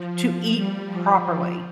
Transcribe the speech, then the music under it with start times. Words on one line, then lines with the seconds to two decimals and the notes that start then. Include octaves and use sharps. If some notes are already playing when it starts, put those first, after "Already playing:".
to eat properly.
Already playing: F3
0.52 G3
0.85 F3
1.19 F3